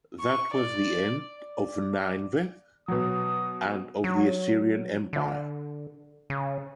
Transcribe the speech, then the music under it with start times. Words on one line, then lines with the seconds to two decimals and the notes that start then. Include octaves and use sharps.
That was the end of Nineveh and of the Assyrian empire.
0.20 C#6
0.54 D5
1.39 D5
2.88 B2 F#3 D#6
4.04 F#3
5.13 D3
6.30 C#3